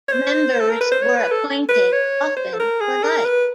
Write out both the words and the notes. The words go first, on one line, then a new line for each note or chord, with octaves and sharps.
Members were appointed, often for life.
C#5
C5
A4
A#4
B4
C5
C#5
B4
A4
B4
C#5
C5
A4
A#4
G#4
A#4
B4